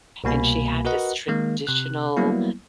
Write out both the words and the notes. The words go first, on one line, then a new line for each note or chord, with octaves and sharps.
and she had this traditional,
C2 B2 A#3 G#5 B5
F#4 A#4 B4 D#5 F#5
D#3 G#3 A#3
C3 F#6
F#3 G3 A#3 B3 E4